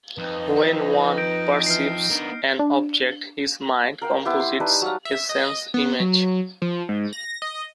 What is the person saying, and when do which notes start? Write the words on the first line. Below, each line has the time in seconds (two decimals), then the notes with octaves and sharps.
When one perceives an object, his mind composites a sense-image.
0.18 F2 D#4 B4
0.56 F3 C4
1.18 G6 A#6 D7
1.66 E3 F6 G6 C7
2.10 B3 D4 A#4
2.59 D4
4.02 A#4 F5 G5
4.25 B3 E4 G4
4.40 C6
4.60 G3 D#4 B4 A5
4.82 F#3 F5
5.05 E5
5.29 D#5
5.74 B3
6.00 F#3
6.62 F3
6.89 G#2
7.13 A#6
7.42 D#5